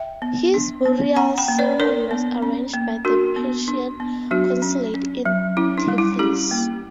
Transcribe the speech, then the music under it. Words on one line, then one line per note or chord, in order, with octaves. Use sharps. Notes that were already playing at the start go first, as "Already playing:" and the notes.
His burial ceremony was arranged by the Persian consulate in Tiflis.
Already playing: E5 G5
B3
D4
B3
C#4 F#5 A#5
G5 B5
A#3
B4 D5
D4 A#4 C#5
B3
C#4
A#3
D4 F#4 A#4
B3
D4
B3
F#3 D4 F#4
C#4
C#4
F#3
C#4 E4
D4
G3
E4
C#4 E4 G4
A#3